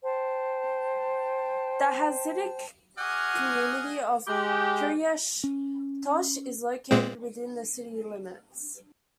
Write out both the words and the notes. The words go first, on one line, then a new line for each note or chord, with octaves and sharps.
The Hasidic community of Kiryas Tosh is located within the city limits.
C5 G5 A5
F#4 G#4 D#5 F#5 G#5 D6 F6
G#3 G4
C#4
A#2 G#3 C4